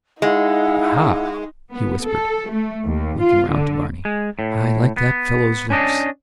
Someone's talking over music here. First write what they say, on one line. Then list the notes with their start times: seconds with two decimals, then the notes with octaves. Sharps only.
'Aha!' he whispered, looking round to Barney, 'I like that fellow's looks.
0.22 G#3 D#4 E4 F5 F#5
1.72 B3
2.06 A4
2.49 A3
2.86 D#2
3.21 F4
3.50 D3
4.05 G#3
4.39 A2
4.97 B3
5.70 C#4 D4 D#5